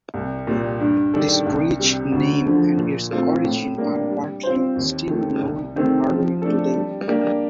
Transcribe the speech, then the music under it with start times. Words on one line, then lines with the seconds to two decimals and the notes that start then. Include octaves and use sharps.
This bridge name and its origin are partly still known in Berlin today.
0.14 C2
0.47 A#2 G3
0.80 G2
1.14 D#3 G3 D4 A4
1.46 C2
1.80 C3 G3
2.12 D2
2.45 D3 F3
2.78 A#2
3.11 A3 C4 F4 A4
3.44 A2
3.77 G3 A#3 D4
4.10 G3
4.43 C4 F4 C5
4.76 D#2
5.09 D#3 A3
5.42 C2
5.76 C3 D#3 A3 C4
6.09 F3
6.42 A3 D4 A4
6.75 G3
7.08 A#3 D4 G4